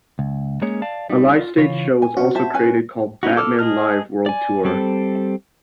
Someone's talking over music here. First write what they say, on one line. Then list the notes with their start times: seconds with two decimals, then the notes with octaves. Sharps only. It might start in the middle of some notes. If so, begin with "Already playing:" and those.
A live stage show was also created, called "Batman Live: World Tour".
0.19 C#2
0.62 G#3 A#3 C#4 G#4 C#5
0.82 D5 F5 A5
1.10 G3 D#4
1.38 F4
1.57 C#3 E3 F4 C#5
2.02 G#5
2.17 C#4 F#4
2.35 C5 E5 A5
2.54 C#4 B4 G#5
3.23 C#4 D#4 E4 F#4
3.36 A4 D6 E6 F6
3.59 G#4 D#5 A5 F6
4.26 D5 G#5
4.65 G3 C4 A4